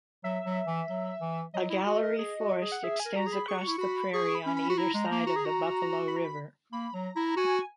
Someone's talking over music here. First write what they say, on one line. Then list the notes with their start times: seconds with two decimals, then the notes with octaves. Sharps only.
A gallery forest extends across the prairie on either side of the Buffalo River.
0.24 F#3 E5
0.46 F#3
0.67 E3
0.89 F#3
1.21 E3
1.54 F#3 D#5
1.70 E4
1.86 F#4
2.02 A#4
2.19 G#4
2.40 F#4
2.62 G#4
2.72 F#5
2.83 G#4 E5
3.00 G#5
3.05 A#4
3.16 F#4 A#5
3.27 G#4
3.32 B5
3.48 G#4 C#6
3.58 F#4
3.67 E4
3.78 F#4 B5
4.13 G#4 C#6
4.35 B5
4.46 C#4
4.56 B5
4.69 F#4
4.78 E4 A#5
4.94 G#3
5.11 A#3
5.26 F#4
5.36 G#4
5.45 F#4
6.08 B5
6.16 A#5
6.24 B5
6.73 A#3 B5
6.94 F#3 A#5
7.16 E4 A#5
7.37 F#4 G#5